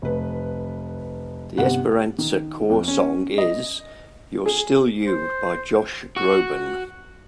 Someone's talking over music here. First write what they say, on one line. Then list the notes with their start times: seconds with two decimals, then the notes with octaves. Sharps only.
The Esperanza Corps Song is "You're Still You" by Josh Groban.
0.02 F1 B4
1.58 G1 C3 F#5
2.18 D#3
2.70 F2
2.88 C#4
3.38 D#5
4.46 G#4
5.07 C5
6.16 F#4